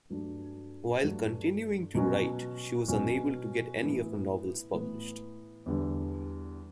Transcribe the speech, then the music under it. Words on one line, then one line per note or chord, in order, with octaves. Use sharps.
While continuing to write, she was unable to get any of her novels published.
G2 F#3 A3 D4 F#4
G2 F#3 A3 D4 F#4
B2 F#3 C#4 F#4
B2 F#3 C#4 F#4
A2 E3 B3
A2 E3 B3
E2 D3 G3